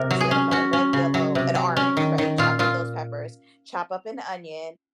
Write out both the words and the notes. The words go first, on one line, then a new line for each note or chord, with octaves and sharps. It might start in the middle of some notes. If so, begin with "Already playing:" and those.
what's the other color? Red, yellow, and orange, right? Chop up those peppers, chop up an onion,
Already playing: C3 A#4
F#3
G#4
C#4
C#4 F#4
C#4
C#3
F#3
C3
F#3
C#4
D#3
D#3
A#2 F4
A#2 F4